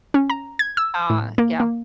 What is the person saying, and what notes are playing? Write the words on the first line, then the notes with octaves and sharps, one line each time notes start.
Ah. Yeah.
C#4
A#5
G#6
E6
A2
A#3
A#3